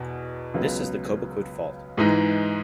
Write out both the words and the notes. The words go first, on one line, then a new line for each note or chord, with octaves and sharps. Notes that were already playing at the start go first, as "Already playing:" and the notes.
This is the Cobequid Fault.
Already playing: E2 B2
C#2 C#3 F#3 B3
G#2 E3 G#3 D#4